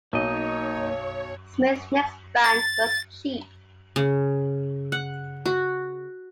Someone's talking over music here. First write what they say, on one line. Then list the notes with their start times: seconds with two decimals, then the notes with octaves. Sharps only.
Smith's next band was Cheap.
0.13 B1 A#3 D#4 C#5 D#5
2.44 A6
3.96 C#3
4.92 F#5
5.45 F#4